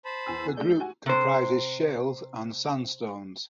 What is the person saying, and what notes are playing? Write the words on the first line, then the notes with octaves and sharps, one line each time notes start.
The group comprises shales and sandstones.
C5 A5 B5
E2 G#5 E6
G#3 A3 D4 G6
F#4 G4 G#5
C3 C5